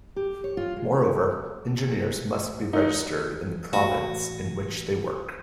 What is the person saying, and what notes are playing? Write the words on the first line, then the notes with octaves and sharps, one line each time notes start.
Moreover, engineers must be registered in the province in which they work.
G4
C#5
F4
G#3
D#4
A1 A3 F#4